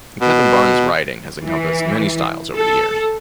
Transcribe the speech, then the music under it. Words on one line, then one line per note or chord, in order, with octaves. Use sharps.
Kevin Barnes' writing has encompassed many styles over the years.
B2
E3
A4